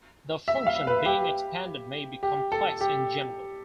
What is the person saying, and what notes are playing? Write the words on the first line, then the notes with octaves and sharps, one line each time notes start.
The function being expanded may be complex in general.
E5
F5
B4
G4
G4
A4
G4